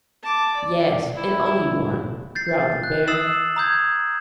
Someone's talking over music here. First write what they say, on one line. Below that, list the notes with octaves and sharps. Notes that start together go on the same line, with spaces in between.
"Yes, and only one," growled the bear.
A5 D6
D5
E4
G6 A6 C7
F#6
D#6 E6 A6 C7 E7 F#7
A#5 D#6 G6 G#6